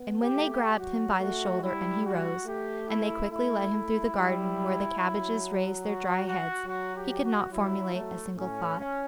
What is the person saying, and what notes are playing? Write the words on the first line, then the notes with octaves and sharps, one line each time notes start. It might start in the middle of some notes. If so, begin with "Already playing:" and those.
And when they grabbed him by the shoulder and he rose, and they quickly led him through the garden where the cabbages raised their dry heads, he could not formulate a single thought.
Already playing: B3
G4
A3
G4
F#3 F#4
A3 F#4
G3 E4
F#4
A3 G4
E4
A3 E4
A3
G3
F#3
F#4
F#4
F#3 F#4
G4
F#4
F#3 E4
A3
A2 C#4
C#4